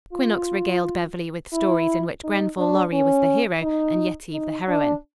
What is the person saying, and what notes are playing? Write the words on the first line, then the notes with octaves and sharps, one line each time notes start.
Quinnox regaled Beverly with stories in which Grenfall Lorry was the hero and Yetive the heroine.
F4
E4
D#4
D4
C#4
D#4
D#4
D4